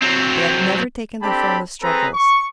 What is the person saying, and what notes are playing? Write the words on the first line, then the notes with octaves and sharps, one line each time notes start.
They had never taken the form of struggles.
F#3 C4
C4 D4 G4 A4 A5 B5
C4 G#4 A4 B4 A#5
C#6